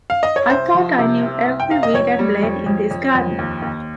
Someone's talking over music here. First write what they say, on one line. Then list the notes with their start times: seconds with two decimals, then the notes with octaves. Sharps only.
I thought I knew every weed and blade in this garden.
0.10 F5
0.23 D#5
0.36 C#5
0.50 C2 C5
0.74 F3
0.98 C3
1.23 C2
1.46 C2
1.60 G5
1.70 C3 F5
1.83 D#5
1.94 F2 C#5
2.19 G3
2.43 F2
2.66 F2
2.91 F2
3.15 F2
3.39 D#2
3.62 D#2